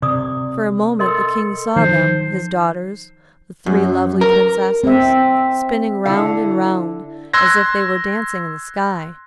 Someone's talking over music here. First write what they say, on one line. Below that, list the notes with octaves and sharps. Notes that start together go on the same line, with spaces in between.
For a moment the King saw them, his daughters, the three lovely princesses, spinning round and round, as if they were dancing in the sky.
C3 D5 D6 D#6
A4 A#4 D#5 C6
D#3 F3 D#4 C5
F#2
A#4
C4 E5
D3 E4 F5
C6 E6 F#6 G#6 A#6